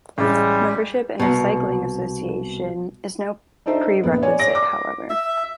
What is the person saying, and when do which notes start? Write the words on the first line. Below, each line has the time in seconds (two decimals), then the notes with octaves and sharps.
Membership in a cycling association is no prerequisite however.
0.18 A1 G3 G#3
1.20 C2 B2
3.66 D4 D#4 A4 C5 E5
4.03 A#1 B3
4.22 C#5 D5 G#5
4.39 C#5 D5 A#6 D7
4.55 D6
5.10 E5